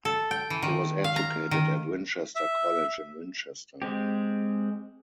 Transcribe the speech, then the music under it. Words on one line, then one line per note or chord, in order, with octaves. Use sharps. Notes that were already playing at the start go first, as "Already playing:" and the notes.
He was educated at Winchester College in Winchester.
A4
G5
E3
D#3
F5
A#5
D#3
E5
G#3 C4 G4